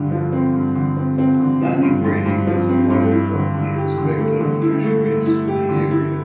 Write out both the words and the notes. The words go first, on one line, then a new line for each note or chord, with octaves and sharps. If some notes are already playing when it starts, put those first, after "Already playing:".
Annie Brady was the wife of the Inspector of Fisheries for the area.
Already playing: G2 D3
F3
C4
G2
D3
C4
C4
D3
F3
G2
G2
G2
F3
C4
G2
E4
D3
D3
G4
D3
A3
D3
E4
A3
A3
E4
G4
D3
E4